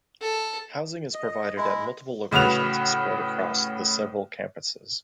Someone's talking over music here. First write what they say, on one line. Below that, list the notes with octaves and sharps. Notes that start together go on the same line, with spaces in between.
Housing is provided at multiple locations spread across the several campuses.
A4
D#5
D#5
G#3 E4
A2 C#3 F#4 B4 F7